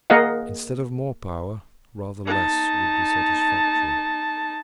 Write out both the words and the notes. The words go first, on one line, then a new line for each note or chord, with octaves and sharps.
Instead of more power, rather less would be satisfactory.
A#3 G#4 A#4 D#5 F5 F#5
D#4 A5